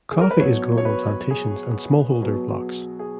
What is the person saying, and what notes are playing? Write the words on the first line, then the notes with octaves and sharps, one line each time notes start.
Coffee is grown on plantations and small-holder blocks.
G#4
A#4
B4
B2 F#3 B3 C#5
C#5
B4
G#4
B2 F#3 B3
G#4